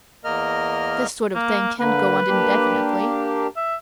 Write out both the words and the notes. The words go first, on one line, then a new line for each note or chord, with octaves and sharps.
This sort of thing can't go on indefinitely.
E2 A#3 A#4 D#5 F6
A#3
D3 A#3 B4
A#3 D4 G4
E5